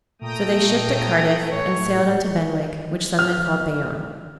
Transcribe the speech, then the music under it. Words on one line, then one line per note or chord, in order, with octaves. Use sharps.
So they shipped at Cardiff, and sailed unto Benwick, which some men call Bayonne.
A#2 A3 G5 A#5 D#6
A2 C#5
F6